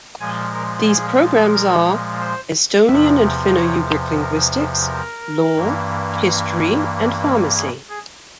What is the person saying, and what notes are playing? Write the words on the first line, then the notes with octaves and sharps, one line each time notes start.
These programmes are: Estonian and Finno-Ugric Linguistics, Law, History and Pharmacy.
A#2 F3 G#3 G#5
A#4
G#4
A#4
C5
E2 C3 F3 E5
C#5
A#4
C5
A#4
G2 E3 A#3
G#4
G#4